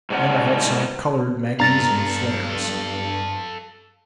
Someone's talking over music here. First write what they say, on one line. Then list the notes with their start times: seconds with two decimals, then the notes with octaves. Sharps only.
And I had some colored magnesium flares.
0.10 G#2 B2 G3 C#4 F#5
1.60 G2 B3 D4 A4 F5 A#5 A6